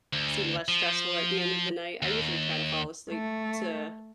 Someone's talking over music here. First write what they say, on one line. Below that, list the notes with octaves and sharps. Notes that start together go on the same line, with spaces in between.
seem less stressful at the end of the night, I usually try to fall asleep to
D2
F3
D#2
A3